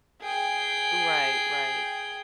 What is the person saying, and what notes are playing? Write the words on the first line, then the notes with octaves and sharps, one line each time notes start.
Right, right.
G#4 G5